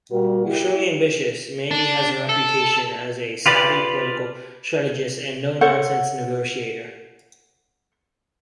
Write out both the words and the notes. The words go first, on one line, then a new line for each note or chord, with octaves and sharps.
Extremely ambitious, Mandy has a reputation as a savvy political strategist and no-nonsense negotiator.
A#2 G3 F#4 A#4
E4 G4
D4
A4
F4 G4 B4 D5
A4 C5 C#5 F#5